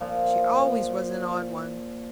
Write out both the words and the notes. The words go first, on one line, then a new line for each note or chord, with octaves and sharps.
She always was an odd one.
A#2 F3